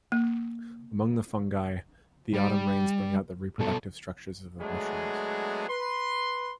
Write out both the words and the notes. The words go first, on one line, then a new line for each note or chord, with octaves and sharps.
Among the fungi, the autumn rains bring out the reproductive structures of the mushrooms.
A#3
G3
B2 A4
F#3 G#3 A3 B3 D4 G#4
B4 C6